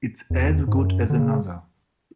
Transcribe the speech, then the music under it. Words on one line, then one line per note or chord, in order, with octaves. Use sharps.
It's as good as another.
E2
G#2
F#2
D3
C#3